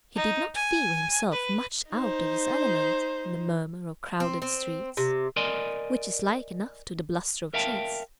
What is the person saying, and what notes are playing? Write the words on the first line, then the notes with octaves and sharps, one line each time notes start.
He did not feel himself much out of his element in the murmur of crowded streets, which is like enough to the bluster of trees.
D#4
G#5
B4
D#4 C5
C4
C4
C3
A#4 D5 D#5 G#5 C6
A#4 E5 F5 G5 A5